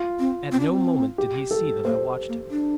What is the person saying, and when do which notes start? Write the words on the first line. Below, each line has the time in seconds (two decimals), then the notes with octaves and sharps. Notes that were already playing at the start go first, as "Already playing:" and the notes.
At no moment did he see that I watched him.
Already playing: F4
0.19 C4
0.52 C4
0.60 D4
0.69 C4
1.18 G4
1.51 A4
1.84 A#3 C5
2.28 A#3
2.51 D4